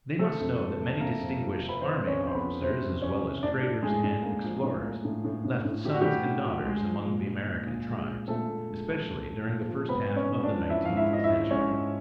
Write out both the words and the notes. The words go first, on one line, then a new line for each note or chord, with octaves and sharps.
They must know that many distinguished army officers as well as traders and explorers left sons and daughters among the American tribes, especially during the first half of the nineteenth century.
C3 A3 A4
F2
F2
C3
C3 A#3 A#4
F2
F3
C3
B4
F3 C4 C5
F2
C#4 C#5
F2
C5
B3 B4
F2
C3 C4 C5
F2
F2 C#4 C#5
C3
A2 D4 D5
A2
A2 G#3 G#4
A2
A#3
F3
A2
A#3
A2
A2
A2
A2
A2 G4
F#4
A2 G3 G4
A2
F3
G#3 G#4
F3
A#2
A#2
A#2
A#2
G#3
A#2
A#2 A3 A4
A#2
G#3
F3
A#2
A#2
A#2
F3
G#2 B3 B4
G#2
C#4 C#5
G#2
D4 D5
F3
F3 E4 E5
F5
G#2
E4 E5
F3 D#5
E4 E5
G#2
G#2 C#4 C#5
G#2